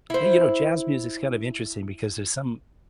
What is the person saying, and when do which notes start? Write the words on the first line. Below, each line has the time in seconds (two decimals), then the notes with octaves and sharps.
Hey, you know, jazz music is kind of interesting because there's some
0.10 E4 C5